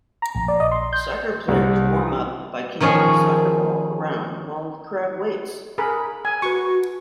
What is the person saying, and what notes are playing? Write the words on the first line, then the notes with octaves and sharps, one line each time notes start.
Soccer players warm up by kicking the soccer ball around while the crowd waits.
A#5
A#1
D5
D#5
C6
G6
C2
D#3 F3 C#4 G#4
G#4 A#4 B5
G#5
F#4 B4 C#6